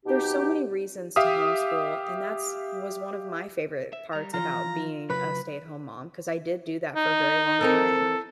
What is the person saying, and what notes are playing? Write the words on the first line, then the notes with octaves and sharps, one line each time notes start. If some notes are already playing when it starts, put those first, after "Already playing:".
there's so many reasons to homeschool and that's was one of my favorite parts about being a stay-at-home mom 'cause I did do that for a very long time.
B2 D#4 G4
G4 E5 F5 D#6
E5
G3 A#5
E3 F3 F4 A#5
C#3 F#3 B4 B5
D#4
E3 C4 A4 A#4